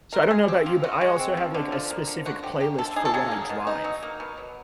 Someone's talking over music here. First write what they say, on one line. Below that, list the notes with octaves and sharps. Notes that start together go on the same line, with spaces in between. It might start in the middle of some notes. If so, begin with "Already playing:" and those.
So, I don't know about you, but I also have, like, a specific playlist for when I drive.
F4 A#4
G#3 G#4
C4 G4
F3 F4
F4 F#4
G#3
C4
F3
D3
F3
A#3
D3
D3 F#4
F3 G4
A#3 G4
D3 A4
D#4 G#4
A4
F#3 G#4
A#3
B2
D#4
F#3
A#3
B2
F#3